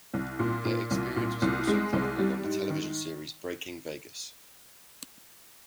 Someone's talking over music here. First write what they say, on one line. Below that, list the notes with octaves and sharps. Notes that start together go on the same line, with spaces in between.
Their experience was also chronicled on the television series Breaking Vegas.
C2
A#2
A#2
C2
A#2
C2
G#3
C2
G3
G#2
D#3